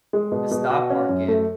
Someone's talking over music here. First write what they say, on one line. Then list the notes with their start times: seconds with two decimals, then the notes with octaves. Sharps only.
the stock market
0.13 G#3
0.32 B2
0.51 B2
0.70 F#4
0.90 C#4
1.09 F#2
1.28 A3